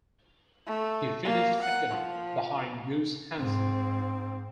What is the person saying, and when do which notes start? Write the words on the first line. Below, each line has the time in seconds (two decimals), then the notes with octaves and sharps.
He finished second behind Gus Hansen.
0.66 A3
1.24 A#3
1.62 F#5
1.91 F3
3.38 G#2 C4